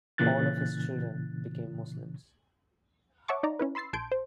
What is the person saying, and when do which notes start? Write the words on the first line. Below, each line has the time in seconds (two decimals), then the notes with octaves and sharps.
All of his children became Muslims.
0.18 A#2 C#3 E3 F#6 A6
3.28 C#5 E5 F#5 A5 C#6 D6
3.43 D#4 D5 A#5
3.59 C#4 E4 B4
3.75 B5 C6 E6 A6 C7
3.93 A#1 A5 C6 G6 G#6 D7
4.12 C5